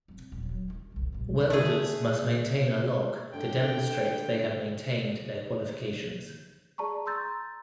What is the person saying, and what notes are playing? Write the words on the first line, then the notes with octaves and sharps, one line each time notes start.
Welders must maintain a log to demonstrate they have maintained their Qualifications.
G3 C4
D#1 F#3
F#3
D#3 G3
F#1 C2
A#1 F#2
A3 G#4
D3 G5
G#4 D5 A5 A#5 C#6
A#5 C6 E6 G6 A6